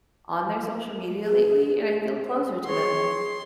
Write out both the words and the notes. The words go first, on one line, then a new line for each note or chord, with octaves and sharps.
on their social media lately, and I feel closer to them.
G#4
G#4 C#5 C6